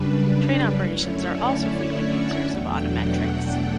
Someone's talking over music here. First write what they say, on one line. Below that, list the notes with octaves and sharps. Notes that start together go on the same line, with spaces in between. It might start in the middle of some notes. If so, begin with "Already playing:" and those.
Train operations are also frequent users of odometrics.
Already playing: F#2 C#3 G3 D4 B4
F#2 D3 A3 C#4 E4 C#5
D5
E5
F#5
E2 B2 F#3 A3 D4 G5
F#5
F#5